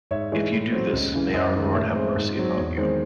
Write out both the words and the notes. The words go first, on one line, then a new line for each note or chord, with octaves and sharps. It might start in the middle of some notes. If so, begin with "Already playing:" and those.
If you do this, may our Lord have mercy upon you.
G#2 C#5 E5
E3 G#3 C#5
A2
F#3 C4
C#2
C#3 E3
F#2 C5 D#5
D#3 G#3
A2 C#5 E5
G#3 C4
G#2
F#3 C4
E2 C#5
D#3 G#3 C4 C5